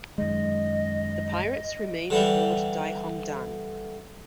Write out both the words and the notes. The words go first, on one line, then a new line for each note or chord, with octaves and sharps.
The pirates remained aboard "Dai Hong Dan".
F#2 D#3 G#3 D#5
D3 E3 G3